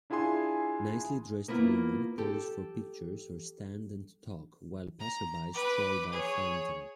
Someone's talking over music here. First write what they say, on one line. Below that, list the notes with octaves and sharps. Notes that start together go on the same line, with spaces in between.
Nicely dressed woman pose for pictures or stand and talk, while passersby stroll by a fountain.
D4 E4 F4 G#4 G#5 C6
A#3 B3 E4 F4
G4 A4
A#5
B4 D6
G#4 C#5